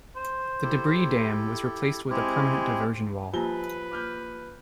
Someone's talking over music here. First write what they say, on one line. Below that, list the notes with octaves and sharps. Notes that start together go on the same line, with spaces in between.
The debris dam was replaced with a permanent diversion wall.
C5
E4 G4 A4
G#3 C4 E4 G4
F3 G3 A#3 F4 B4 G#5 A#5 G7
D6 F6 G6